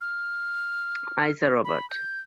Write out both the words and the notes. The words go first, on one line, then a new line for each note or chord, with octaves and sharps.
Eyes are ovate.
F6
B5
G6